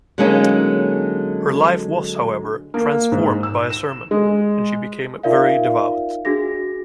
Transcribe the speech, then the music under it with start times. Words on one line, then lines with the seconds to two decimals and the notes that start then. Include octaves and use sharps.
Her life was, however, transformed by a sermon and she became very devout.
0.18 D3 F#3 G#3 A#3 C#4 D#4
2.74 A#3
3.12 G#2
3.43 E6
3.70 E7
4.11 G#3
5.23 D#4 F4 A#4 D5 E5 F5
6.25 D4 F#4 G#4 A#6